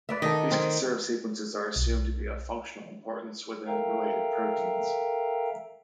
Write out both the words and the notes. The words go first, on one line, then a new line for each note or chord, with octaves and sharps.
These conserved sequences are assumed to be of functional importance within related proteins.
B4 D5 E5
D#3 A4 D#5
C4
B1
A4 A#4 E5 F5 G5 A#5